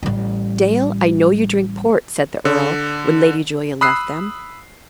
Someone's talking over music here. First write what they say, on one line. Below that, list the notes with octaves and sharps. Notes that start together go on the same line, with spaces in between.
"Dale, I know you drink port," said the earl when Lady Julia left them.
A1 G3
D3
B5 D#6 E6 F#6 C7